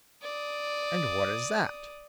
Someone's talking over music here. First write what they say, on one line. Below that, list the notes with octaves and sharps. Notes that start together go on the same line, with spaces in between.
"And what is that?"
D5 D#6